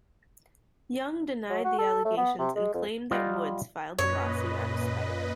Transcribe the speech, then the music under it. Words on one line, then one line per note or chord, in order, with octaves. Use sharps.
Young denied the allegations and claimed that Woods filed the lawsuit out of spite.
F#3
F#4
A4
A3
B3
C3
G#3
F2
G3 F4 D#5 F#5 G5
F#2 A#2 B4 C#5 D#5